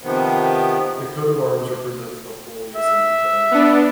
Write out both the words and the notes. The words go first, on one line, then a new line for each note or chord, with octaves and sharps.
The coat of arms represents the holism of heaven and earth.
C3 D#3 F3 B3
E5
B3 D4